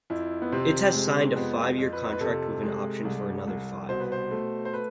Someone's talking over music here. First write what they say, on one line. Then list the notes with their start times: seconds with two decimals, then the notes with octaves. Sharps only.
It has signed a five-year contract with an option for another five.
0.10 F2 E4
0.42 B3
0.52 C3 C4
0.94 G#3
1.36 F2 B3
1.78 F2
1.93 B4
2.12 B4
2.20 C3 A4
2.63 G#3
3.05 C2
3.47 C2
3.89 B2 C5
4.00 B4
4.12 C5
4.31 A3
4.65 C5
4.73 B4